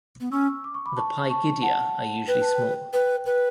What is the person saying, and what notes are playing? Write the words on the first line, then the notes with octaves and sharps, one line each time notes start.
The pygidia are usually small.
B3
C#4 C#6 E6
D6
C#6
B5 D6
A5 C#6
A5 C#6
F#5 A5
B4 G5
A5
G5
B4 G5
B4